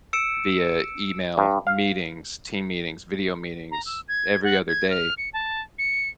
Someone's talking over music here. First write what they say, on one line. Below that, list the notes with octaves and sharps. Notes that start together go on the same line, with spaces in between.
via email, meetings, team meetings, video meetings every other day,
E6 C#7 D7 E7
G2
F5
A#5
E6
G#6
F#5
G#6
F6
C#7
A5
C#7